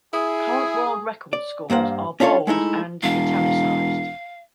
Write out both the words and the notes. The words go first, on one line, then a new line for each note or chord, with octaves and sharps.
Current world record scores are bold and "italicized".
E4 G#4
D5
G2 A#3 C5 F#5
C#4 D4 F4 A4 C#5
G#3 A3 D#4 E4
E1 F5